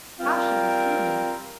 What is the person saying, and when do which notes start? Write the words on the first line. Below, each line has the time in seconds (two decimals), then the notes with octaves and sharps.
Passion is human.
0.20 G3 C4 F4 A#4